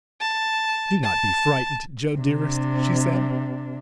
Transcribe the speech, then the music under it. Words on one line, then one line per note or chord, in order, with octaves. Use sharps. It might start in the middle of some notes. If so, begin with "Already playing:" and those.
"Do not be frightened, Joe dearest," she said.
A5
A5
C3 D4